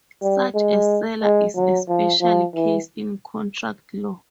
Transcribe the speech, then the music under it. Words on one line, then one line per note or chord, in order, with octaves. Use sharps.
Such a seller is a special case in contract law.
G3
G#3
G#3
F#3
F3
F3
E3